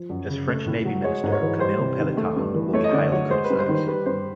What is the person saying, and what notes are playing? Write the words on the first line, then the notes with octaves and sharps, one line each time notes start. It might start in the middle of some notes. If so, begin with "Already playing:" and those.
As French Navy minister, Camille Pelletan will be highly criticized.
Already playing: F3
F#2
C#3
A3
A2
F#3
G#3 C#5
G#2
C#5
E3
G3 C5
C3
D#3
A3
G2
E3
A3 C#5
D#5
D3 D5
F#3 C#5
G#3 C5
B4
G2
C5
D#3
C5
G3 B4
G2 C5